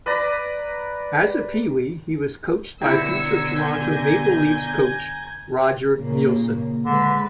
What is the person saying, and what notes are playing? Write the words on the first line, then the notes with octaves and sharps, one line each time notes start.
As a PeeWee he was coached by future Toronto Maple Leafs coach Roger Neilson.
B4 D5 A#5 B5
B2 D3 E4 G5 A#5 E6 G#6 C#7
G#5 G6
A#2 C#3 A#3
D3 G#3 B4